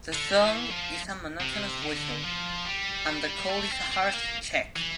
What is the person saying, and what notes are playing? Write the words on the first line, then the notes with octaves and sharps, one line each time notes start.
The song is a monotonous whistle, and the call is a harsh "check".
D3
E3
F3
C3
D3
F3
G3
A3
C4
C4
A#3
E3